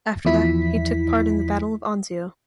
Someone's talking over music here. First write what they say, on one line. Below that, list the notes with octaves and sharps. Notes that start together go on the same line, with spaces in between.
After that he took part in the Battle of Anzio.
E2 F3 E4 B6